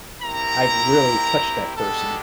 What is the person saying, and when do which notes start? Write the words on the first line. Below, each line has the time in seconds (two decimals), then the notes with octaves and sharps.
I've really touched that person.
0.22 C4 E4 G4 A#4 A#5
1.75 G#3 B3 D4 G4 A4 A5